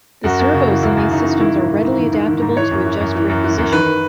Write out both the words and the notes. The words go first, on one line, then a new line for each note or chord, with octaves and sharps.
The servos in these systems are readily adaptable to adjust rig positioning.
F#2 F#4
F#2
C#3
E3
F#2 E4
F#2
C#3 D#4
E3
D#3 E4
G#2
D#3
G#2
D#3
G#2
D#3
G#2
E3 C#5
F#2
E3
F#2
E3
F#2
E3
F#2
D#3 B4